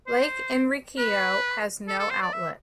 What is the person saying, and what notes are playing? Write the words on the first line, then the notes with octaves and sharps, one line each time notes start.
Lake Enriquillo has no outlet.
C5
B4
A4
A4
C5
D5
E5